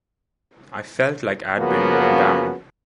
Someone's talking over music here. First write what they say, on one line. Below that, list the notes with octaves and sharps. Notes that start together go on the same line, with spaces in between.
I felt like I'd been worn down.
C#3 F3 A#3 B3 C#4 F#4